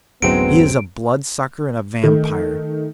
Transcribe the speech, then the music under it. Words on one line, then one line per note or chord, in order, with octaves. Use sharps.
He is a bloodsucker and a vampire.
D1 F#2 A2 F#3 G#3 B3 C4 D7
D#3 A3